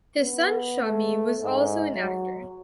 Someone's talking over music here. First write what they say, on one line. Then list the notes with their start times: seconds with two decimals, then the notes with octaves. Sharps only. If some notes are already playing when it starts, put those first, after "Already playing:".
His son Shammi was also an actor.
0.21 B3
0.84 A3
1.42 G#2
1.95 F#3